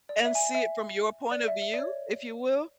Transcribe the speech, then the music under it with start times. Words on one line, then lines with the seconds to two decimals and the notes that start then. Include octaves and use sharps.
and see it from your point of view, if you will.
0.09 D5
0.25 E5
0.35 G#5
0.55 E5
1.31 D5
1.48 E5
1.62 E5
1.74 D5
1.79 C#5